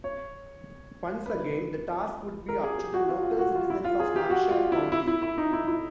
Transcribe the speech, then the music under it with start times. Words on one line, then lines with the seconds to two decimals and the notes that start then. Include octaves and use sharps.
Once again, the task would be up to the local citizens of Hampshire County.
0.04 C#5
1.26 B4
2.49 A#4
2.63 G#4
2.78 G4
2.94 F#4
3.09 F4
3.24 F4
3.39 F#4
3.55 F4
3.70 E4
3.85 F4
4.00 G#4
4.16 G4
4.30 F#4
4.50 F4
4.72 E4
4.92 E4
5.08 E4
5.22 E4
5.38 D#4
5.53 E4
5.68 E4